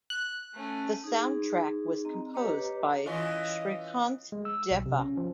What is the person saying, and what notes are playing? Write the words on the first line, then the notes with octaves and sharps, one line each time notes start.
The soundtrack was composed by Srikanth Deva.
F#6
A3 C#4
D#4 G#4
C4 D#5 A#5
G4 B4 C#5 D#5 A#5 D6
E3 C#4 F4 D#5
G#3
E6
B1
C3
C#4
F3